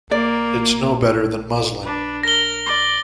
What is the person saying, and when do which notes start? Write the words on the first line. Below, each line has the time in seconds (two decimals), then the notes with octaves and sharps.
It’s no better than muslin.
0.11 A#3 D5
1.83 D4 B4
2.23 A#4 A#6 G7
2.66 D5